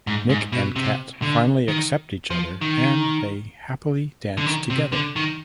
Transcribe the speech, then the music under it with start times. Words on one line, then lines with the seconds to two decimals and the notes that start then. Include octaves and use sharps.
Nick and Kat finally accept each other and they happily dance together.
0.07 G#2
0.29 G#2
0.52 B2
0.76 C3
1.22 D3
1.68 D#3
2.30 F3
2.61 D#3
4.37 D3
4.46 D#3
4.70 C3
4.92 D3
5.16 D#3